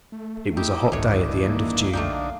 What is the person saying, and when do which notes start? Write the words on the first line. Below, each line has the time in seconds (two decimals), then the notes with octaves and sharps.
It was a hot day at the end of June.
0.12 A3
0.57 D#4 E4 G4 D6
0.92 G1 C#2 A2 D#3 E3 D4 C#5
1.42 A#3
1.93 B1 D3 A3 A#3 D4 D#4 F5 G5